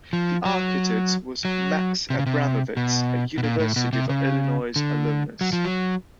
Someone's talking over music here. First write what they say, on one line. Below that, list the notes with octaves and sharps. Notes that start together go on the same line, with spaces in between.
The architect was Max Abramovitz, a University of Illinois alumnus.
F3
F#3
F#3
C3
C#3
C3
B2
B2
A#2
A2
B2
C3
C#3
D3
F#3
F3
F#3